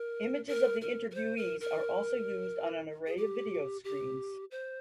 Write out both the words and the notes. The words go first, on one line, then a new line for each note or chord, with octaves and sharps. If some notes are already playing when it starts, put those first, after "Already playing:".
Images of the interviewees are also used on an array of video screens.
Already playing: A#4
A#4
A#4
A#4
C5
A#4
A#4
G#4
G4
G4
C5